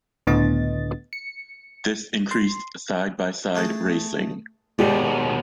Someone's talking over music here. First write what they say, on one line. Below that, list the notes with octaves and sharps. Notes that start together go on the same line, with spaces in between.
This increased side-by-side racing.
C#2 A2 D3 B3 D#5 A6
C#7
C6
A3 G#4 A5
D#2 B2 G#3 G4 D5